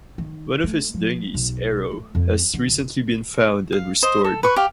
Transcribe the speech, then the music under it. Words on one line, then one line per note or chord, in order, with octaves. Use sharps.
One of his dinghies, "Aero", has recently been found and restored.
D#3
A3
F3
B1
A3
F2
D3
F#1
F5
C5 D#5
A4
B4 C#6
G4 F5